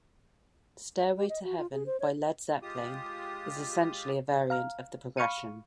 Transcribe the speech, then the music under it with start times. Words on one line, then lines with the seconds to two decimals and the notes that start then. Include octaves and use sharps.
"Stairway to Heaven" by Led Zeppelin is essentially a variant of the progression.
1.17 G4
1.29 D#5
1.44 F#4
1.58 F4
1.72 G#4
1.86 C5
2.00 C#5
2.62 G#3 F4 G4 D#6
4.50 F5 A#5 F6
5.17 F5 B5 C#6 F6 C#7 D#7